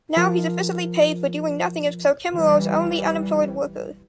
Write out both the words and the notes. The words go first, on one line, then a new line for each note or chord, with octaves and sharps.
Now he's officially paid for doing nothing as Clochemerle's only unemployed worker.
F3 F4 A#4
E3 G3